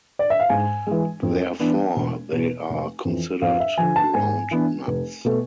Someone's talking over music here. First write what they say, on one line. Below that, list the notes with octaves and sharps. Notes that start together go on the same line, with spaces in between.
Therefore, they are considered ground nuts.
D5
E5
F5
G#2 G#5
E3 G#3
F2
E3 B3 D4
E1
E2 B2
F1
F2 E3
F2 F5
E5
D3 F3 G#5
A5
G#2 G#5
E3 B3 D4
F1
B2 A3